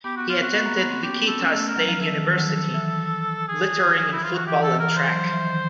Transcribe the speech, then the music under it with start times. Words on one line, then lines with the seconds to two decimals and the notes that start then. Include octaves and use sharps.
He attended Wichita State University, lettering in football and track.
0.04 B3 G4
0.17 B3 F#4
0.29 F4
0.38 C4
0.42 F#4
0.53 B3
0.66 A#3
0.78 B3
0.90 C4
1.03 C#4 G4
1.15 B3
1.27 C4 A4
1.40 C#4
1.43 A#4
1.51 A3 A4
1.68 A#4
1.76 F#3
1.84 F3 A#4
2.01 E3 A4
2.13 D#3
2.25 F3
2.38 F#3
2.50 F3
2.75 E3
3.48 G#4
3.98 F3
4.12 E4
4.23 E3 F4
4.35 F#4
4.47 E3 G4
4.63 E3 A4
4.80 E3 A#4
4.96 E3 C5
5.08 F#3
5.20 F3
5.33 E3
5.45 D#3